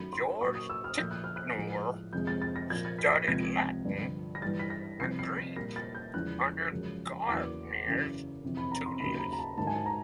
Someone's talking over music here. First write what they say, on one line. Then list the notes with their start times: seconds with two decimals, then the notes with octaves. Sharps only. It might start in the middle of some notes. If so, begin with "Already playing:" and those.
George Ticknor studied Latin and Greek under Gardiner's tutelage.
Already playing: F#2 D#3 F#3 A3 B5
0.13 C6
0.41 A#2 F#3 A#3 C#6
0.55 D#6
0.70 E6
0.84 F6
0.98 A#2 F3 A3 G6
1.11 F#6
1.24 F6
1.36 F#6
1.56 A2 F3 G#3
2.13 F2 C3 F3 G#3 G6
2.27 A6
2.42 A6
2.56 A#6
2.70 A#2 F3 A#3 G#6
2.85 A6
2.99 B6
3.09 A#6
3.13 B6
3.28 C#2 C3 F3 G#6
3.85 G2 D3 F3
4.35 A#6
4.42 G2 E3 G3 A6
4.59 B6
4.70 A#6
4.99 C2 C3 F3 C7
5.19 C7
5.38 B6
5.56 A#2 G3 A#3 A#6
5.76 A6
5.95 G6
6.14 E2 C#3 F3 G#3 F#6
6.71 F#2 C#3 F3 G#3
7.28 E2 C#3 F#3 A#3 D6
7.86 F#2 C#3 E3 A3
8.43 F2 C3 E3
8.57 B5
8.72 A#5
8.86 C6
9.00 D#2 C#3 F#3 B5
9.15 B5
9.19 A#5
9.33 A#5
9.39 A5
9.57 G#2 D#3 F#3 A3 A5
9.67 G#5
9.76 A5
9.86 A#5